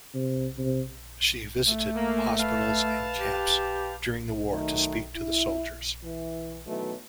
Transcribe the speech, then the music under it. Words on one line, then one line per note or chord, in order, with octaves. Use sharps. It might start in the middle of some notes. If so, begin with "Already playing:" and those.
She visited hospitals and camps during the war to speak to the soldiers.
C3
C3
A3
A#3
B4 F5 A5
G4
D#3 F#3 A3
E4
E3
B2 D#3 E3 F#3 A3 B3